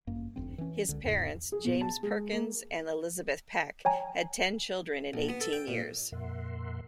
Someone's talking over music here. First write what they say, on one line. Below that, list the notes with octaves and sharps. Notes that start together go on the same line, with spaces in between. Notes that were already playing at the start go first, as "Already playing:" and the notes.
His parents, James Perkins and Elizabeth Peck, had ten children in eighteen years.
G1 F#2 A#3
F1 D2 C4
E3 C#4
C#2 D3
E2 G#2 C#3 B3
G#4
B2
A5
G#3
A#3
C#5 G5 G#5 A#5
A#1
B3
A4
G5
A#2
F2 A#2 A#4 E5 F#5 C6